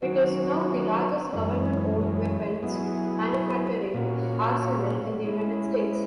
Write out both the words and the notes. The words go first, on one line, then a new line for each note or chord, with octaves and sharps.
It is now the largest government-owned weapons manufacturing arsenal in the United States.
D#3 F#3 C#4 F#4
F#2 E3 G#3 C#4
F#3 B3 E4 G#4
A#2 A#3 C#4 F#4
G#3 C#4 E4